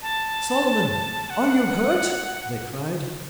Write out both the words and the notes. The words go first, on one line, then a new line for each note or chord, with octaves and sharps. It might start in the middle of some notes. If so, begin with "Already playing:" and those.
"Solomon! are you hurt?" they cried.
A5
F#5